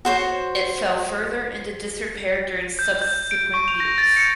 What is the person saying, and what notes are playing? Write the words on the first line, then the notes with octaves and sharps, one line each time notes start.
It fell further into disrepair during subsequent years.
F#4 C5 C#5
G6
G6
D7
C#6
F7
A#6
A6
C#7